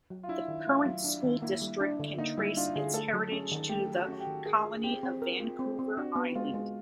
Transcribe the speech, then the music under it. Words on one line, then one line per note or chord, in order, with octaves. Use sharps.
The current school district can trace its heritage to the Colony of Vancouver Island.
F#3
F4
D4 E4
D#3
A3 F4
F#3
D4
D#3
A#3 E4
G3
D4
D3
A#3 D#4
G3 E4
D4 F4
D3 G#4
A3 A4
F#3
C#4 G#4
D#3
A3 G4
F#3
F#4
C#4 F#4
G4
D#3
G#4 A#4
F4
C4 G4
C4
A#4
F4
C4
C4
D4 F#4
B3
G#3 F4
G#3